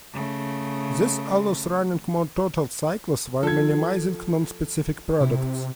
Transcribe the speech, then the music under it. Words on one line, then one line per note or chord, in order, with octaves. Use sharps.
This allows running more total cycles while minimizing non-specific products.
C#3 A3
F3 A4 G#6
C3 E4